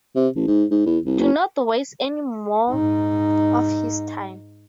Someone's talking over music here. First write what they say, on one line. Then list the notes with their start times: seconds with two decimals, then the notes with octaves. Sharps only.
Do not waste any more of his time.
0.16 C3
0.36 A1
0.47 G#2
0.71 G#2
0.86 E2
1.06 C2
1.19 F#1
2.71 G#2 D#4